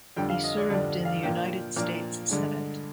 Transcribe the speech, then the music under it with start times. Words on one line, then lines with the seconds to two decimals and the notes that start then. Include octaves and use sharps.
He served in the United States Senate.
0.17 F2 D3 G3 D4 G5
0.30 F5
0.44 D#5
0.57 D5
0.70 F2 D3 G3 D4 D5
1.05 F5
1.23 A#2 F3 A#3 D4 G5
1.76 A#2 F3 A#3 D4
2.30 G2 D3 G#3 D4